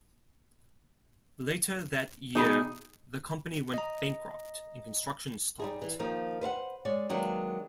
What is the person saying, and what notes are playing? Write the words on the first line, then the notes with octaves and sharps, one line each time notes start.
Later that year the company went bankrupt and construction stopped.
B2 D#4 G#4 B5
D#5 A#5
G3 D#4 G#4
E3
D#3 F3 A#3 D#4
B4 C5 F5 F#5
G#3 C#5 D5
D#3 F#3 G#3 A#3 B3 D4